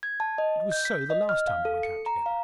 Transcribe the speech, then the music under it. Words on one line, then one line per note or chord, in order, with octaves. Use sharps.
It was so the last time we went out together.
G#6
A5
D#5
G6
B6
D#5
F6
F5
A4
C#7
A#5
F5